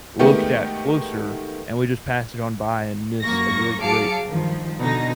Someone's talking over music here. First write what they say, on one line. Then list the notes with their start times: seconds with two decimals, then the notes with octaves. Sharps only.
looked at closer, and we just pass it on by and miss a really great
0.19 D#3 G#3 A3 B3 G4
3.22 F#2 A#3 C#6 A#6
3.81 F#3 G#4 F5 A5 D6 C#7
4.27 G2 D#3 F3
4.81 B2 D3 D#4 A#6